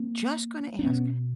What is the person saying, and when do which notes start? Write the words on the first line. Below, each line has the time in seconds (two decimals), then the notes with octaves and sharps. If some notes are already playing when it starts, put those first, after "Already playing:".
Just gonna ask.
Already playing: A#3 C4
0.79 D4
0.83 B2 B3 C#4